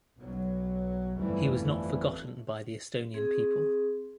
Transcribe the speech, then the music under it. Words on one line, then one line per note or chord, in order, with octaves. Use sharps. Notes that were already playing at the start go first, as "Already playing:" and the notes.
He was not forgotten by the Estonian people.
B1 F#3
G1 F2 E3 G3 A3
C4 G#4